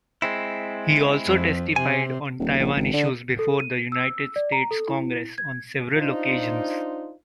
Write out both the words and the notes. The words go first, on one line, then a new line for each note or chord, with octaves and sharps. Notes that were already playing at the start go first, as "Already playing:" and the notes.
He also testified on Taiwan issues before the United States Congress on several occasions.
G#3 C4 E4
F2
C3 G#5
D#1
A#1
G#1
D3
A4
D#7
E6
D5
A#5
A4
E4
G#6
D4 D#4 F4 C5